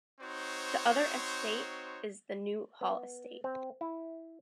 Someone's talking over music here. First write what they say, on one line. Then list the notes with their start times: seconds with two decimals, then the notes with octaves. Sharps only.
The other estate is the New Hall Estate.
0.21 C4 D#4 F#4 C5 C#5
2.81 B3
3.44 C4
3.81 E4